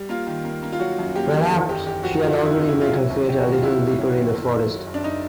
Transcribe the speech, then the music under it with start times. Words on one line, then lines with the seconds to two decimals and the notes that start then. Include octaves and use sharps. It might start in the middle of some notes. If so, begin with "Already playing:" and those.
Perhaps she had already met her fate a little deeper in the forest.
Already playing: G3
0.09 A#3 F4
0.27 D#3
0.45 A#3
0.63 A#3
0.72 F4
0.80 F#3 F#4
0.98 F#2
1.16 A#3 G4
1.34 D#3
1.51 E2 A4
1.69 F#1 G4
1.86 E2 G4
2.03 F3 F#4
2.21 F#1 F4
2.40 E2
2.45 E4
2.57 C3
2.68 E4
2.75 C3
2.81 F4
2.92 F#3 E4
3.10 D#2
3.28 F#3 G4
3.40 D#3 F#4
3.52 F4
3.63 D#2 E4
3.81 F#3
3.99 F#3
4.16 D#3
4.34 F#1
4.51 F#1
4.69 F#3
4.87 F#1
4.94 D4
5.04 D#4